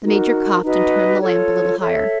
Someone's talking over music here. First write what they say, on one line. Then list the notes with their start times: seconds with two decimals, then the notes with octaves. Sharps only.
The Major coughed and turned the lamp a little higher.
0.03 D#4 F#4 A#4
0.63 D#4 F#4 B4 D#5
1.21 F4 A4 C#5
1.79 A4 C#5 E5